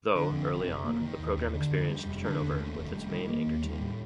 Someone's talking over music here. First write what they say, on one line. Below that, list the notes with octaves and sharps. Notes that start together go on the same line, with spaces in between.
Though, early on, the program experienced turnover with its main anchor team.
D3
F2
F1
F1
A#3
D#3
D#2
D#2
D3
F2
G3
F1
D3
D#2
A3
F1
G3
D#3
A#3
D#2
G3
A2